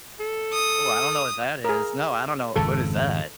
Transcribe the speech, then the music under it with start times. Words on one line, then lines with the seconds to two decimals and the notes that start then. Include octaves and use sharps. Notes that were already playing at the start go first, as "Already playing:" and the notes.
Ooh, I don't know what that is, no, I don't know what is that?
0.20 A4
0.53 D#6
1.65 G#4 A#4
2.56 G#1 F2 C#3 A4